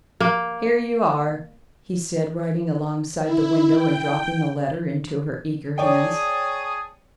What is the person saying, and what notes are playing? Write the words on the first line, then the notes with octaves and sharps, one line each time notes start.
"Here you are," he said, riding alongside the window and dropping the letter into her eager hands.
A#3
E4
G5
G#4 C#5 D5 G5 A5 D#6